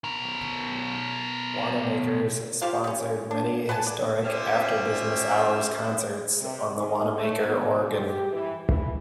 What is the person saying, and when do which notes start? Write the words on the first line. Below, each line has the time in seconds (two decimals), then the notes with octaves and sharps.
Wanamaker's sponsored many historic after-business-hours concerts on the Wanamaker Organ.
0.04 B2 A#4
2.61 F4 G4 C5 F5
2.84 G3 C#4
3.31 D4
3.69 B4 F#5 G#5 A5
3.86 D5
4.23 A#2 C4 C#4 G4 E5
6.40 C3
6.77 D#3
7.16 A3
7.44 B2
7.93 G4
8.33 E3
8.68 E3